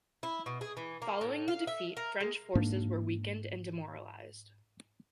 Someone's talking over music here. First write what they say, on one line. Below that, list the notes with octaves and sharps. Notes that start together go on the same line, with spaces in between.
Following the defeat, French forces were weakened and demoralized.
E4
B2
G#4
E3
A#3
A2
F5
E5
A#4
G#3
G#2 A#3 D4